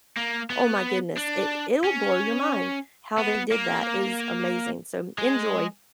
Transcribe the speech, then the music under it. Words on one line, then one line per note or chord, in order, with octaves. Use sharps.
oh my goodness, it it'll blow your mind. How they did that is amazing, so enjoy.
A#3
B3
D4
C#4
B3
A#3
G#3